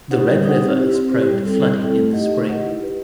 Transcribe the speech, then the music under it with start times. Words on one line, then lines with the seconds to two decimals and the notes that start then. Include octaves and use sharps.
The Red River is prone to flooding in the spring.
0.11 D#4 G4 C5 F#5
0.28 G3
0.45 D#4 G4 C5 F#5
0.62 C4
0.79 E4 G4 C5
0.95 C4
1.12 E4 G4 C5
1.29 G3
1.46 C4 E4 A4
1.62 G3
1.79 C4 E4 A4
1.96 A3
2.13 D#4 G4 D#5 F#5
2.29 A3
2.47 D#4 G4 D#5 F#5
2.63 E4
2.80 G4 B4